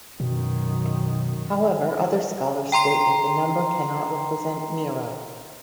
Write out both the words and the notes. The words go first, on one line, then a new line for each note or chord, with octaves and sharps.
However, other scholars state that the number cannot represent Nero.
F#2 B2 D#3
G5 A#5 C6 C7